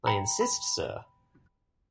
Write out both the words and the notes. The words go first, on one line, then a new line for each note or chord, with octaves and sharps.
I insist, Sir.
G5 A#5 B5
B5